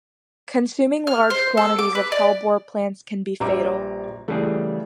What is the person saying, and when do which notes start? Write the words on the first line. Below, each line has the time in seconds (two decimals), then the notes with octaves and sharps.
Consuming large quantities of hellebore plants can be fatal.
1.07 F6
1.30 C5
1.57 A4
1.79 D6
1.95 B4
2.12 D5
3.40 A#1 G3 B4 E5 A#5 D6
4.28 C#3 E3 G3 A3 G#4